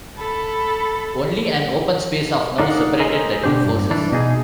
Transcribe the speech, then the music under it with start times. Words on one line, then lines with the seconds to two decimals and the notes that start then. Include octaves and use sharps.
Only an open space of now separated the two forces.
0.18 A4 B5
2.58 D4 D#4 A#4 F5 F#5
2.99 A4 A#4 C5 D#5 G#5 A#5
3.44 B2 D4 G4 C5
3.65 G2
3.91 E3 D4
4.12 B2 D#4 G#4